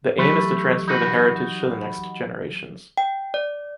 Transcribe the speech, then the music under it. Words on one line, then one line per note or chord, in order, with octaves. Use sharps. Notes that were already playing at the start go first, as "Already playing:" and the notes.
The aim is to transfer the heritage to the next generations.
E3 F#3 A3 G4 B4
D#4 F#4 B4
G5
D5